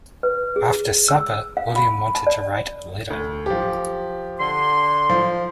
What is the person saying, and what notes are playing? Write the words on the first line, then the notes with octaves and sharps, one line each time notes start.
After supper William wanted to write a letter.
B4
G#4
E6
F5
B5
A5
D5
D2
F3 G4
D3 C6
F3